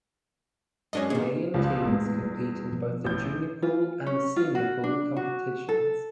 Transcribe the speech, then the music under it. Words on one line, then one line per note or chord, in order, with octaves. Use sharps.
Canadian teams compete in both the Junior Pool and the Senior Pool competitions.
F#2 G#3 C#4 D4 D#5
A#2 D#3 G#4
C#2 F3 G3
E2 A2 G#3 A#3
G3
B2 F3
A1 G6
F4
C#4
F4
F#4
D4
F#4
A4